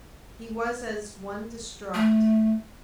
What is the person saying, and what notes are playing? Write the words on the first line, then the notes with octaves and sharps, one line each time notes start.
He was as one distraught.
A3